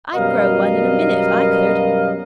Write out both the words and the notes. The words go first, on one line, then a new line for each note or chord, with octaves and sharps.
"I'd grow one in a minute if I could."
F#2 B2 G3 A#4 D#5 F5